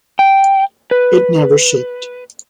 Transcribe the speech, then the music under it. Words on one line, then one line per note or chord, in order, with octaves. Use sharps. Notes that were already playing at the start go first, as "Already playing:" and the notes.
It never shipped.
G5
B4